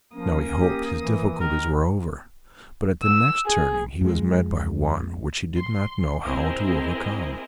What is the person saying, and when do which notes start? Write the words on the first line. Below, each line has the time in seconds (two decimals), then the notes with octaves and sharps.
Now he hoped his difficulties were over, but at the next turning he was met by one which he did not know how to overcome.
0.14 F3 A#3 C#4 D#6
0.55 G4
1.00 E3
1.41 D#3 A#4
3.03 E6
3.46 G#4
4.01 F2 G#3
5.55 C6
6.23 C4 E4 G#4 A#4 C5 D#5